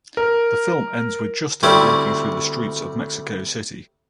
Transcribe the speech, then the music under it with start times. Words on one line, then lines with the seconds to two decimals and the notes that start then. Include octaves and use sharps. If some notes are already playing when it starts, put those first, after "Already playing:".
The film ends with Justo walking through the streets of Mexico City.
0.17 A#4
1.63 D2 G3 C4 C#4 E4